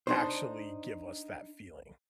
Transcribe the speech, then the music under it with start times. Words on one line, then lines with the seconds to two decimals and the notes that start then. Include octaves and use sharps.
actually give us that feeling.
0.07 D4 D#4 C5